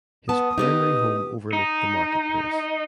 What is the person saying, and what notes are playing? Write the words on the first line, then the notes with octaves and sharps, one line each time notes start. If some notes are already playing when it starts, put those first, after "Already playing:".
His primary home overlooked the market place.
B3 A5 D#6
B3 D#4 G4 B4
D#4